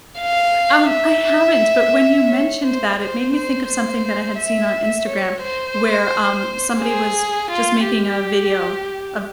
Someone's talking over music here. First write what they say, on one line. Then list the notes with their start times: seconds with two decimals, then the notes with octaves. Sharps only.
Um, I haven't, but when you mentioned that, it made me think of something that I had seen on Instagram where, um, somebody was just making a video of,
0.19 F5
0.89 E5
2.28 C#5
2.64 C5
2.98 C5
3.33 C5
3.68 C5
4.38 E5
5.07 C#5
5.42 C5
6.81 G#4
7.51 F4
7.85 G4